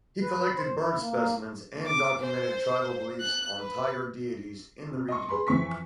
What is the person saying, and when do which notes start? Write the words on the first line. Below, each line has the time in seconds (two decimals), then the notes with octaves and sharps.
He collected bird specimens and documented tribal beliefs on tiger deities in the region.
0.22 B4
0.45 B5
0.57 C5
0.78 E4
1.00 A#3
1.13 A#3
1.87 D6
2.21 C5
3.21 F#6
3.59 B4
4.91 C3
5.08 D#5 C6 C#6
5.29 G#4 B4 B5 C6
5.47 F2 E3 C4 C#6 B6